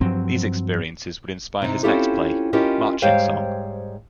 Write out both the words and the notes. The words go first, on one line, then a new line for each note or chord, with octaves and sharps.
These experiences would inspire his next play, "Marching Song".
G2 F3 F#3 C4
C3 D#4
C4 C#4 E4 F4 G4 A4
C#4 E4 F4 G4 A#4 D#5
G#2 G3 C5 C#5 F5 G5